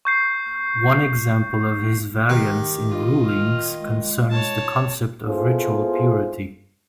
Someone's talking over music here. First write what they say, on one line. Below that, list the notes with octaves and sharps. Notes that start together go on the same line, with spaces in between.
One example of his variance in rulings concerns the concept of ritual purity.
C#6 G6 C7
D#3 G4
F4 D#5
F6
G#3
C#5 A5
B3 E4 F4 G#4 A4 C5